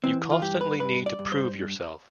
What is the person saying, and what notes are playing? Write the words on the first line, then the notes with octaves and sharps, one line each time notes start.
You constantly need to prove yourself.
E3 C4
F4
G2 G4
B4
G2 B4
D5
G2
C5